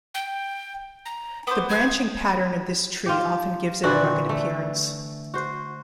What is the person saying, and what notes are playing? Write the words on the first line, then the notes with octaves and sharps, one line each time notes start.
The branching pattern of this tree often gives it a rugged appearance.
G5
A#5
B3 C5 D6
G#6
F4 G4
A#2 D3 E3 F#4
A3
F#4 C5